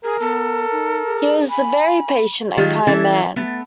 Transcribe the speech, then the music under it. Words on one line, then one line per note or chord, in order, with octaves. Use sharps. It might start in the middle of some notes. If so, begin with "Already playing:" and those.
He was a very patient and kind man.
G#4 A#4
B3 A4
D#4
G#4
G#5 B5
D#3 F#3 G#3 F4 G4
E3 C#4 E4 A4
A3 B3